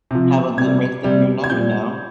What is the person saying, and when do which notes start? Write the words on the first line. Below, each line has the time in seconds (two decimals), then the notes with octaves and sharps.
Have a good rest of your night now.
0.11 C3 F3
0.57 C3 G3 G#6
1.04 C3 G3
1.44 G#6
1.50 A#2 G3 G6